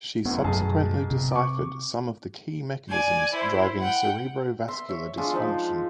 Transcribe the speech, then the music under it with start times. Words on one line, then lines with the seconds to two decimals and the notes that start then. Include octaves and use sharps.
She subsequently deciphered some of the key mechanisms driving cerebrovascular dysfunction.
0.25 F#2 A2 B3
0.44 B1 F#2 G#4 A5
1.10 C3
1.32 C#6 D6
2.89 D5 G#5
3.33 E4 C5
3.81 F#5 G5
4.68 E5 C6
4.89 C#5 E5
5.17 G#3 D4 F4 A4
5.33 F3 D#4 B5